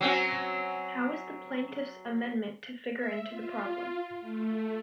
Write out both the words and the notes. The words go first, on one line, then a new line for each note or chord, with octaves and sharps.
How is the plaintiff's amendment to figure into the problem?
F#3 C4 C#4
E5
F4
A3